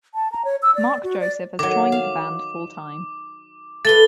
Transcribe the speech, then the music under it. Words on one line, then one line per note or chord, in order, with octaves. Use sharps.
Mark Joseph has joined the band full-time.
A5
A#5
C#5
E6
D5
F#4
D5
D#3 F#3 D6
F5
A3 B4 A6 G7